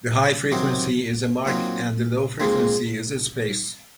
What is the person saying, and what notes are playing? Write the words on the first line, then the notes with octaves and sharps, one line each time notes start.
The high frequency is a mark, and the low frequency is a space.
C3 D#3 F#3 C4 D#4
A#2 F#3 C4 D#4
A#2 G#3 C4 D#4